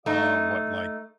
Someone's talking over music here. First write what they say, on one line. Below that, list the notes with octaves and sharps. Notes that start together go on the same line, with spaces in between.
uh, what, like,
A3 D#4